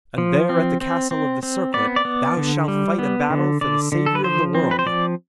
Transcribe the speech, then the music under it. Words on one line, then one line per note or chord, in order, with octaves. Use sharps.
And there at the Castle of the Circlet thou shalt fight a battle for the Saviour of the world.
F3
C4
C4
C4
C4
B3 D5
D5
B3
D3
G3
B3
D3
D3 D5
D3
A4
B4
F3 C5
C4
B4
C5
F3 D5